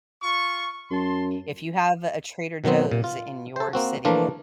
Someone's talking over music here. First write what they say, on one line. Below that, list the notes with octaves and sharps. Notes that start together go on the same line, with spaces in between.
If you have a Trader Joe's in your city,
F4 C#6
F#2 A5 C6
B2 D#3 F#3 B3 C4
A#2
F4
A4 C5
A#3 C4 F#4
E3 F3 A3 A#3 D4 F4